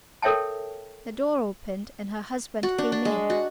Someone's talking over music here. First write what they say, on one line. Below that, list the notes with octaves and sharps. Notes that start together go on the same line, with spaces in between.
The door opened and her husband came in.
A4 A#4 C#5 E5 G5 A5
F#4
D4
D4
G#3
F#4